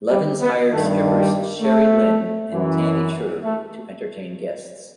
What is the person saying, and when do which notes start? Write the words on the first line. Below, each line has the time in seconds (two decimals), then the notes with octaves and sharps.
Levens hired strippers Sherry Lynn and Tammi True to entertain guests.
0.10 G3
0.41 B3
0.70 G2 D#3 A3
1.16 G3
1.62 A3
2.51 F#2 E3
3.43 A3